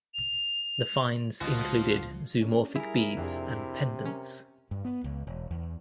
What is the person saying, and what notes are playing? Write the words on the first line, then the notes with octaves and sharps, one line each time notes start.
The finds included zoomorphic beads and pendants.
F7
C#2 F3 G#3 F#4 D#5
C#4 D4 A#4
G3 E4 G#4 A#4
F2 C3 D4 G4 G#4
C#4 A#4
G2
B3
C#2
E1
E2